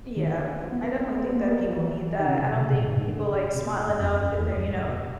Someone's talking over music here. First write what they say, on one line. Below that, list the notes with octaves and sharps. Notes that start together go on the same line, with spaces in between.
Yeah. I definitely think that people need that. I don't think people, like, smile enough in their, you know,
D#3
E3
D3
E3
F3
B3
B3
C4
B3
C4
B3
A#3
B3
A#3
F#3
F3
E3
D#3
C3
C#3
C3
B2
C#3
C3
A#2
G#2
G#2
D3
C3
A#2
A2
G2
F#2
F2
F#2
E2
F#2
G#2
D3
B2